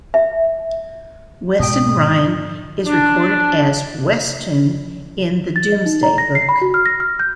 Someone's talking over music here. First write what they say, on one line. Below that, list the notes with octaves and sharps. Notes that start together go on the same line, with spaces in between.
Weston Rhyn is recorded as "Westune" in the Domesday Book.
E5
G#2 B2 G5 D#6
D4
A6
D#5
D#4
A#5
A#6
C7
B5
F#4
F6
A#6
F6
G6